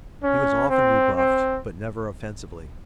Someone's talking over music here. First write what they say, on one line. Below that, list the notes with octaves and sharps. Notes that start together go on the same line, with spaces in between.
He was often rebuffed but never offensively.
C#4
C4
C4